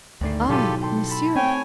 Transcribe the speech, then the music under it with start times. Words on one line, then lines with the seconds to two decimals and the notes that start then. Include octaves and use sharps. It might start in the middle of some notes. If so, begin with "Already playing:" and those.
"Ah, monsieur!"
0.21 G#1 D2 A3 D5 C7
0.49 G#2 B2 F#3 E4 F4 G4 A4 D#7
0.82 A4 G5 C6
1.09 A5 B5 E6
1.36 A3 C4 C#5 G5 G#5